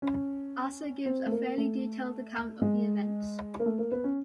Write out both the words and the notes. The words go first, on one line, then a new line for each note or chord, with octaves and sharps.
Asser gives a fairly detailed account of the events.
C#4
C4
A3
A#3
A3
G#3
A#3
A3
A#3
B3
C#4